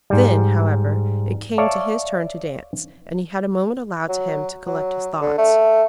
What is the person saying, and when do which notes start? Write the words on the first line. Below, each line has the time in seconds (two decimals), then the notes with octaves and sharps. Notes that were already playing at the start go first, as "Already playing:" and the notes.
Then, however, it came to his turn to dance, and he had a moment allowed to him to collect his thoughts.
0.10 G#2 G3
1.58 C#5 D5 E5 F5 A5
4.09 F#3
4.67 F#3
5.21 D3
5.38 A3